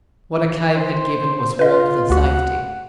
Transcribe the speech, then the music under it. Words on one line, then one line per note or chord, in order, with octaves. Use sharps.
What a cave had given was warmth and safety.
C5
F4 B4 D#5
D2 F#4 F#5